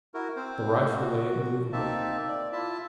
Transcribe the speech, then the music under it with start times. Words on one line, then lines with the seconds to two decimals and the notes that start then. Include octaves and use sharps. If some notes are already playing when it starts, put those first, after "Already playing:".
The rifle lay immovable.
0.14 E4 F#4 A#4
0.36 C4 C5
0.94 F#4
1.73 A#3 C4 D#4 E5 A5
2.28 D5
2.52 E4 F4 E5 A5